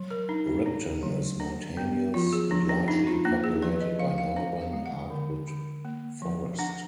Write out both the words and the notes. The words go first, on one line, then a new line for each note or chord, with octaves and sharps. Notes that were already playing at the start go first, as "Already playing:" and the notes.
Ripton is mountainous and largely populated by northern hardwood forest.
Already playing: F#3
A#4
D4 D#4
D#4
D4
F#3
D4
B3
F3 F4
G#4
F3 D4
D4
D4 D#4
F4
A#3 D4
G#4
F3 B4
D#5
F3 F5
F5
D4 F5
F5
G#3
F#5
D3
D3
A#3
F3
D4 F#5